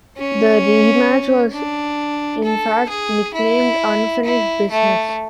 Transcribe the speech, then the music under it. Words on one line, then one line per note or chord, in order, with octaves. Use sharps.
The rematch was, in fact, nicknamed "Unfinished Business".
C#4
D4
A4
G#4
E4
E4
A3